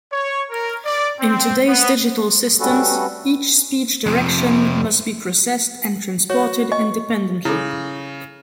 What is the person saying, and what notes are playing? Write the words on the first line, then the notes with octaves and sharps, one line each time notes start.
In today's digital systems, each speech direction must be processed and transported independently.
C#5
A#4
D5
C4
B3
G3 A3 C#4 F#4 A4 B4
F2 C3
F#4 C#5
D#5 C#6
C#3 E4 A4